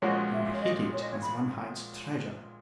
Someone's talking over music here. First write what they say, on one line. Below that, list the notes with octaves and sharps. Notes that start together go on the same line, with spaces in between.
You hid it as one hides treasure.
A#1 A#2 G#3 C#4 F#4 D#5
E5
C#5
D#5
C#5
D#5
C#5
B5